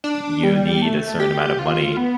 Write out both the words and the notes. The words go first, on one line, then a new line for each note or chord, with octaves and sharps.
you need a certain amount of money.
D4
G3
A3
G4
F4
B3